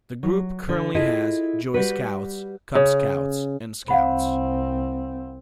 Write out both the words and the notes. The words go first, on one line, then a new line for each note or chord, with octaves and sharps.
The group currently has Joey Scouts, Cub Scouts and Scouts.
F#3
D3
E4 F4 G#4 A4 D#5 E5
G3 F#4 B4
C#3
C2 C4 F5 F#5 B5